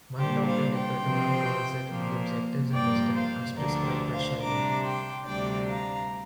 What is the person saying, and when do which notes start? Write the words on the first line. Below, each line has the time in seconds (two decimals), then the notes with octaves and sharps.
One Doctor Dipertua calls it "the objectives and wisdom" as "prescribed by Shariah".
0.18 A#2 G3 D4 G4 C5
0.47 C5 F5
0.75 G5 C6
1.03 C3 F3 C4
1.88 A#2 F3 A#3
2.72 G2 F3 A#3 D5 G5
3.14 C5 F5
3.56 D2 D3 F3 D4 A#4 D5
3.84 G4 C5
4.12 C5 F5
4.41 C3 G3 D4 A#5 D6
4.83 G5 C6
5.26 D2 C3 G3 D4 D5 G5
5.68 F5 A#5